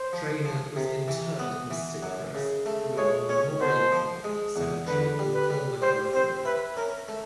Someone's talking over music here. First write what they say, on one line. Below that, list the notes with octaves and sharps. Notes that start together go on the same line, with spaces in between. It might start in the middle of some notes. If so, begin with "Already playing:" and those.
Traina was interred in Cypress Lawn Memorial Park cemetery in Colma, California.
Already playing: C5
F3
F3
C3
E3
B3
E3
F#2
C#3
A3
G#3 C#5
C#4 C#5
B2 C5
F3
G#3
E2
D3 B4
G3
B4
G3
G3 C5
C4 C5
E4 B4
C#4 A#4
A3